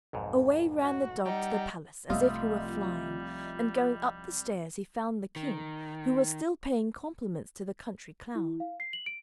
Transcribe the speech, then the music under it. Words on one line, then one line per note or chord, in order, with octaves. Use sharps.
Away ran the dog to the palace as if he were flying, and going up the stairs he found the King, who was still paying compliments to the country clown.
B1 F2 G#2
F#4
G3 D#4 F#5
C2 F3 G3 A3 F4 D#5 E5
D#3
E4
F5
C7
F#7
D7